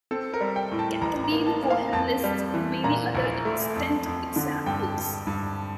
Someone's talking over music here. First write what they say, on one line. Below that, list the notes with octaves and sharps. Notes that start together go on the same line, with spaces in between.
Kathleen Cohen lists many other extant examples.
C4 A4
A#4
G3
G5
A2
A5
A1 A#5
A#5
A#3
A5
A#3
F5
F2 A5
G3
E3
A#2 A#5
A#1
A3
F2
F2
D3
G2 G5
G2
G2